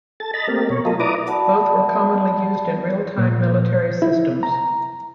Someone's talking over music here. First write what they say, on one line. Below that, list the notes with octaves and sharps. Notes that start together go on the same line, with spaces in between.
Both were commonly used in real-time military systems.
A4 A6
D#5 A#5 B5 A6
A3 A#3 C4 G4 A#4
B2 C#5
F#3 F4 A4 A#4 D#5
E4 B4 D5 A#5 D6 D#6
F#4 D5 F#5 A5 B5
A#2
E4
A#5